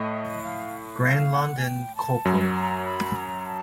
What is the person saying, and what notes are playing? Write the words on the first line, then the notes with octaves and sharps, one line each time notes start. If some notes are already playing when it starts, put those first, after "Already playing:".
Granlund and Cpl.
Already playing: A2 A3 D#5
F5
F5
F#5
G#5
G5
A5
F#2 F#3
A#5
B5
A#5
A5